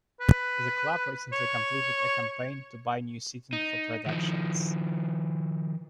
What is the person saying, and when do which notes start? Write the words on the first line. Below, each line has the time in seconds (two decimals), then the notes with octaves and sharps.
The club recently completed a campaign to buy new seating for productions.
0.21 B4
1.33 C#5
3.53 D#4
4.06 D#3 F3